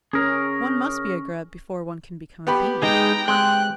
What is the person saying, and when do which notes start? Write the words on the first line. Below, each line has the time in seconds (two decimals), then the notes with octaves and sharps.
One must be a Grub before one can become a Bee.
0.13 C#4 G#4 A#4
2.47 B3 G4 B5
2.82 G#3 D#4 G#4 G5 A#5
3.28 G#3 C4 G5 F#6